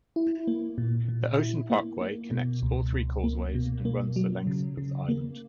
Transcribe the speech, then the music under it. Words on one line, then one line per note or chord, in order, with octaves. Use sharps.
The Ocean Parkway connects all three causeways and runs the length of the island.
E4
A#3
A#2
A#2
E4
A#3
A#3
B2
C#2
C#2
A#3
B2
A#3
F#3
C#3
C#3
A#3